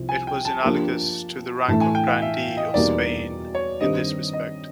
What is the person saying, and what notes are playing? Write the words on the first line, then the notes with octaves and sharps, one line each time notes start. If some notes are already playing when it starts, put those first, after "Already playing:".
It was analogous to the rank of Grandee of Spain in this respect.
Already playing: C2 C3 F3
G#5
G5
A5
F3 A#3 D4 G4
A2 E3 A3 A5
G#5
G5
F5
E5
D#5
E2 B2 G3 A#3 D#4 D5
C#5
G2 D#3 G3 C4 D#4 D#5
D#5